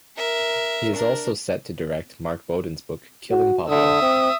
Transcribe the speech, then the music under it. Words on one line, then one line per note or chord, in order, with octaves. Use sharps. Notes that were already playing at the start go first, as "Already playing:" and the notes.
He is also set to direct Mark Bowden's book "Killing Pablo".
A#4 E5
D4 A#4
F#4
D3 E5 D#6
C4